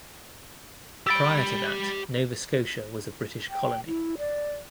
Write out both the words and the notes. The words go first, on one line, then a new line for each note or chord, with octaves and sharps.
Prior to that, Nova Scotia was a British colony.
G4 B5 E6 A6 D7
G5
E4
D5